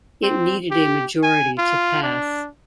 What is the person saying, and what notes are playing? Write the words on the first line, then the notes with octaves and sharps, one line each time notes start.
It needed a majority to pass.
C4
G4
G#5
F4
D4